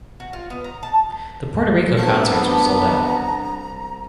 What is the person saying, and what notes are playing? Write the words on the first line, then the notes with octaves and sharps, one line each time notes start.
The Puerto Rico concerts were sold out.
F#4
F4
B3
A#5
A5
C2 B3 D4 A#4 A5 A#5 C#6